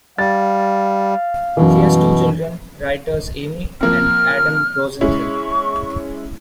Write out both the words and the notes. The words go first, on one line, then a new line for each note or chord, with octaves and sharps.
She has two children, writers Amy and Adam Rosenthal.
G3 F5 A6
F#2 B2 E3
F3 A#3 C4 F6
G#3 C#4 E4 C#6